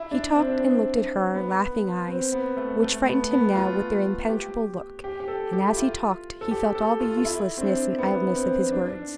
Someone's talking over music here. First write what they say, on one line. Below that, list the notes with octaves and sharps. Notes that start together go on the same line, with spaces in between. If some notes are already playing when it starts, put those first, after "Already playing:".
He talked and looked at her laughing eyes, which frightened him now with their impenetrable look, and, as he talked, he felt all the uselessness and idleness of his words.
Already playing: E4
D4
C4
D4
C4
B3
C4
B3
A3
A3
B3
B3
F4
G4
G4
G4
A4
G4
E4
F4
A4
G4
A4
F4
F4
E4
C4
D4
B3
C4
D4
D4